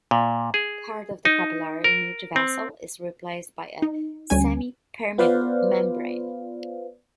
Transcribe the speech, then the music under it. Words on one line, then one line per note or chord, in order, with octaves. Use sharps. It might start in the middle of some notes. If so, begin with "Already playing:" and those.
Part of the capillary in each vessel is replaced by a semipermeable membrane.
A#2
G#4
D#4
A#4
C4
D#4
D2 G3 C#4 G#5
B3 F4 B4 C5 D5 F5